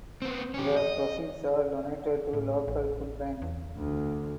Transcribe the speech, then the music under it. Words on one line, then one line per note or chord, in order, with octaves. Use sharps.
The proceeds are donated to local food banks.
B3 C4
C#4 G4
D#5
A2
A1
E2
D2